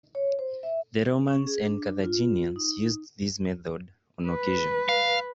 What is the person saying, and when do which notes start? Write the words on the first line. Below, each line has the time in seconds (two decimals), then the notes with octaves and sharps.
The Romans and Carthaginians used this method on occasion.
0.15 C#5
0.39 C5
0.63 E5
1.28 C#4
1.47 G#4
1.65 D4
2.04 F4
2.56 D#4
4.28 B4
4.89 F5